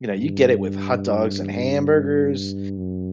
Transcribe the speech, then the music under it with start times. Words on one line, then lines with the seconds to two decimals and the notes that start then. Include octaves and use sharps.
you know, you get it with hot dogs and hamburgers.
0.18 G2
2.78 F#2